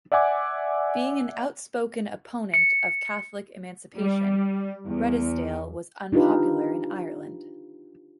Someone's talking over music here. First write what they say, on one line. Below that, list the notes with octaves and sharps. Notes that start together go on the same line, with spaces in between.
Being an outspoken opponent of Catholic Emancipation, Redesdale was unpopular in Ireland.
D5 E5 F#5 G#5 D6
C#7
G3
E2
D4 D#4 F4 G4 B4